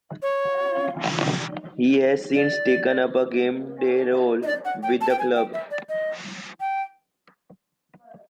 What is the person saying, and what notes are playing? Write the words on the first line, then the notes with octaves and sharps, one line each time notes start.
He has since taken up a game day role with the club.
C#5
D5
D#5
D5
F#5
G5
A5
G5
G#5
G5
E5
D5
D#5
G5